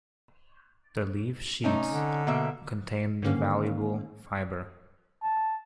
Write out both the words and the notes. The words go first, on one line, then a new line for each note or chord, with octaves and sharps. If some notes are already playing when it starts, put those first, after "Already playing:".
The leaf sheaths contain the valuable fiber.
C3 A3 C#4 D#4
D3
B2 A#3 E5
G#2 D3 D#3 A#3 C#4 F5
A5